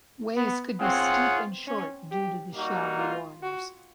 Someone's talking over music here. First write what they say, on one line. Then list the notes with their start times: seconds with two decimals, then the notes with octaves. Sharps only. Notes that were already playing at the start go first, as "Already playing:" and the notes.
Waves could be steep and short due to the shallow waters.
0.36 B3
0.80 C4 F4 G#4 C#5 F#5
1.67 C#4
2.11 G4
2.55 G3 A#3 D#4 F#4
2.99 F4
3.43 F#4